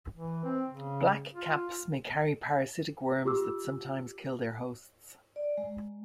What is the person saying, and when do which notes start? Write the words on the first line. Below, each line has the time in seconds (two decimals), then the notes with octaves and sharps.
Blackcaps may carry parasitic worms that sometimes kill their hosts.
0.16 E3
0.44 C4
0.69 C#3
1.35 F4
3.25 F4 G4 D6 E6
5.36 D5
5.58 G#3